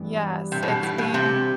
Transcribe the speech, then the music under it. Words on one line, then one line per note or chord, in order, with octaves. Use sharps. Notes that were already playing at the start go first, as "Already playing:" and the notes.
Yes, it's being
Already playing: G2 E3 B3
C3
A2
B2
A2
B2
C3